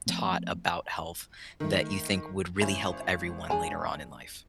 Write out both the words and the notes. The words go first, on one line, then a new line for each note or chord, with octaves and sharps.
taught about health that you think would really help everyone later on in life?
F3 A3 B3 C4
D#3 A3
G#1 E3 C#4
D4 G#4